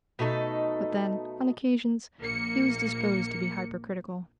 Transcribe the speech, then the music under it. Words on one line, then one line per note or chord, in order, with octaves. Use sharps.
But then, on occasions, he was disposed to be hyper-critical.
B2 A3 D#4 A4
A#1 A#3 C#7